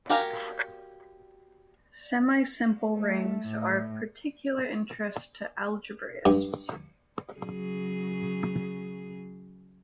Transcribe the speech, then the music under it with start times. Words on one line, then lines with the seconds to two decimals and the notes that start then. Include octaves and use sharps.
Semisimple rings are of particular interest to algebraists.
0.09 F#4 G4 A#4 F5 G#5
2.95 A3
3.48 A2
6.26 G2
7.36 C#3 F#3 G#4